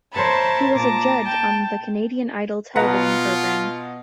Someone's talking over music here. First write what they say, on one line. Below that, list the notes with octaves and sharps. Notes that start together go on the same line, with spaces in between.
He was a judge on the "Canadian Idol" television program.
A#4 C5 C#5 E5 A5 B5
A#2 A5 A#5 D6
G5 A5
B2 F4 B4 F#5 A#5